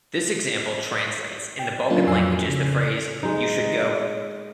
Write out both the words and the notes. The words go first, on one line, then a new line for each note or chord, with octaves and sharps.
This example translates in the Balkan languages the phrase You should go!
G5
F#3 A#3 C#4 D4 F4
F2 F#3 G#5 E6 C7
C#3
G#3 D#4